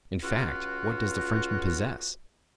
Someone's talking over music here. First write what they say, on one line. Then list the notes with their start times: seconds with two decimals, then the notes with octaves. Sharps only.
In fact, what does the Frenchman possess?
0.23 C#2 F4 F#4